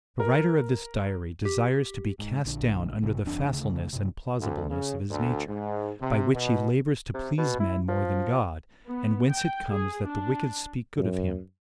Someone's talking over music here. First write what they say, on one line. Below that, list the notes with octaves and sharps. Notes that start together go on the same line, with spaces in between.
'The writer of this diary desires to be cast down under the facileness and plausibleness of his nature, by which he labours to please men more than God, and whence it comes that the wicked speak good of him . . .
A#4
G4
G#2
A#1 D3
A1 C3
G1 F2 D4
D2 C#3
G2 C3
D2
C#3
D2
G#2
C3
B2
C3
B2
E4
F3
B3
G5
G#4
D4
F#2